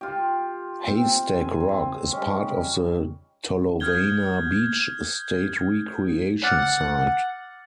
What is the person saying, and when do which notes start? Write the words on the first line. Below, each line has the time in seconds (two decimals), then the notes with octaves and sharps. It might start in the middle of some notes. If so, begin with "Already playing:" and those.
Haystack Rock is part of the Tolovana Beach State Recreation Site.
0.01 F4 G4
0.86 C4
1.39 G#5
1.60 C4
2.13 G3 G#3 C#4
3.80 D#6 F6 G6 G#6 G7
6.44 F#5 D6 F6 F#6 A6